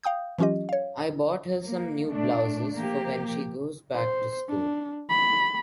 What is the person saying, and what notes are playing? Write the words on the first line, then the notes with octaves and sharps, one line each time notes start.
I bought her some new blouses for when she goes back to school.
F5 G5 D#6 G6
E3 F#3 C#4 F4 G4 D#5
C#5 F5
A#3
A3 D4
F3 A#3 G4
C5
D4
B5